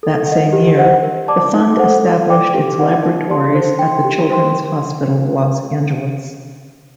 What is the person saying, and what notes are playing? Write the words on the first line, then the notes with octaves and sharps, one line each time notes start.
That same year, the fund established its laboratories at the Children's Hospital Los Angeles.
A4
D#5 F#5
G4
C5 F#5
A#4
D5 A5 D6
D#4
A4 C5 F#5
A4
D5 G5 D6
G4
D5 F#5
D#4
G4 D5 A5 C6
C5
G5 C6
G4
C5 G5 C6